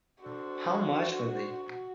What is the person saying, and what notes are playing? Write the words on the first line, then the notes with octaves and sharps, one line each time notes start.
How much was it.
D4 F#4 A4 C5